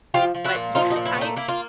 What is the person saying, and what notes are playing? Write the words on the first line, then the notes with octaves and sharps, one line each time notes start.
But yes, I
F3 F4 G4
F3
E4 F#4
A#2
F3 D#4 F4
D#4
A#2
E4
A3
D#4
A#3 E4
F4